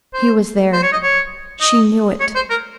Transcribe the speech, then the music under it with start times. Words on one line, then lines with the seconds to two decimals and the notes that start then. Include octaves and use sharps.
He was there, she knew it.
0.14 C5
0.73 C5
0.83 C#5
0.92 D#5
1.02 C#5
1.61 D#5
2.20 C#5
2.35 C5
2.50 A#4